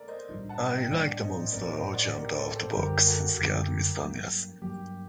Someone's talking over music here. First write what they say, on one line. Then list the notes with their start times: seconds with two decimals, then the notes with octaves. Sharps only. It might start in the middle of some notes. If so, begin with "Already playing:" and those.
I liked the monster who jumped out of the box and scared mister Nilsson.
Already playing: A4 A#4 D5
0.08 C5 D#5
0.29 A2 G3 A#3 D4
0.49 F#5 A5
0.70 D#5 G5
0.91 A2 G3 A#3 D4 D5 F#5
1.22 C5 D#5
1.46 D#5
1.52 A2 A3 C4 A#4 D5
1.73 C5 D#5
1.94 D5 F#5
2.14 A2 A3 C4 G4 A#4
2.36 A4 C5
2.56 A4 C5
2.76 F#2 D3 G3 D4 G4 A#4
2.99 A#4
3.07 F#4 A4
3.38 F#2 D3 G3 D4 G4
4.00 G2 F#3 A#3
4.62 G2 F#3 A#3 G4